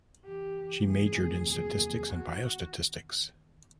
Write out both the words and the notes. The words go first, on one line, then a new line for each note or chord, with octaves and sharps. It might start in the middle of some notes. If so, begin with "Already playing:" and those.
She majored in statistics and biostatistics.
F#2 C#3 E3 G4
F#2 C#3 E3
F2 C3 E3 A3 C4 G#4
F2 C3 E3 A3 C4
E2 C3 D#3 F#3 A#3 G#4
E2 C3 D#3 F#3 A#3
F#2 D#3 G#3 B3 F#4